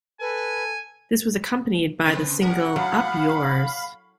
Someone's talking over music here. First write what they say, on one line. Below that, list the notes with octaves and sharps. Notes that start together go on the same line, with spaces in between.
This was accompanied by the single Up Yours!
A4 B4 G#5
C#3 C4 B4
G3 C#4 A#4 F#5
A2 F#3 F5 B5